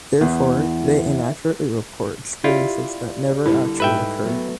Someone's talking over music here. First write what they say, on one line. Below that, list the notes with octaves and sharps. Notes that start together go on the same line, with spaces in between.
Therefore, they inaccurately report experiences that never actually occurred.
E2
E4 F4 G4 D5
D3 G3 A#3 E4
G#2 G3 A4 B4 E5 G5
F#3 A3 B3